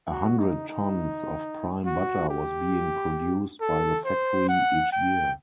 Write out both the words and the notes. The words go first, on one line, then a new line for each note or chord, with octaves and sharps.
A hundred tons of prime butter was being produced by the factory each year.
F#4
D#4
D#4
F#4
G4
A4
C5
F#5
G5